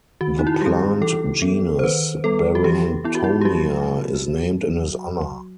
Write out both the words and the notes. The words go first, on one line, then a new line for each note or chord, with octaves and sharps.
The plant genus "Barringtonia" is named in his honour.
D#3 F#4
D#4
E4
F#4
G3 C4 G4
E3 A4
B3
C5
D#3 B4
G3 B3 A4
F#4
E3 G4
B3 E4
F#4
E4
G4
F#3 F#4